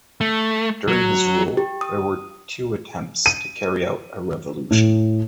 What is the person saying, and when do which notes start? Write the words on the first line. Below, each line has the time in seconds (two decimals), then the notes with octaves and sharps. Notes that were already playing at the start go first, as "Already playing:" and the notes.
During his rule there were two attempts to carry out a revolution.
0.21 A3
0.88 F#3
1.57 G4
1.81 D#6
3.26 D#7
4.71 A2